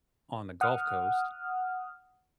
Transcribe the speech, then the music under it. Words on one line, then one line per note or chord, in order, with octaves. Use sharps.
on the Gulf Coast,
F#5 D#6 F6